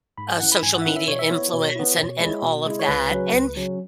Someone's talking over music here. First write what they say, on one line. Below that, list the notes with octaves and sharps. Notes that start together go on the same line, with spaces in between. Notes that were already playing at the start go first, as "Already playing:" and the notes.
uh, social media influence and and all of that, and,
G#2 B5
G#5
E3 C#4 E4 F#5
B5
G#2 G#5
F#5
E5
E3 C#4 E4 F#5
E5
B2 C#5
E5
B3 E4 C#5
B2
B3 E4
B2
G#3 E4
B2
G#3 E4
C#5
C#2 B4
C#3 F#3 C#4
C#2
C#3 F#3 C#4